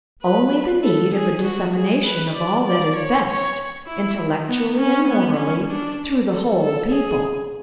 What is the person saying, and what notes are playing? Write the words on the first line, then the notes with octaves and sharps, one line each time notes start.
Only the need of a dissemination of all that is best, intellectually and morally, through the whole people.
B4
A4
G#4
F#4
G#4
B4
D5
D5
C#5
C#5
E4
B3
C#4
B3
C#4
D4
A4
A4
G#4